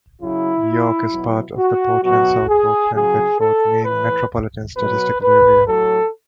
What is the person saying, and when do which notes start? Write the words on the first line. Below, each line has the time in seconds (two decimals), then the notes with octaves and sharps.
York is part of the Portland-South Portland-Biddeford, Maine metropolitan statistical area.
0.21 C#3 F#3 E4
1.11 B2 F#3
1.57 F#4
2.02 B2 F#3 F#4
2.49 G#4
2.94 C#3 F#3 G#4
3.39 A4
3.85 A2 E3 B4
4.76 B2 F#3 B4
5.22 B4
5.67 A2 F#3 A4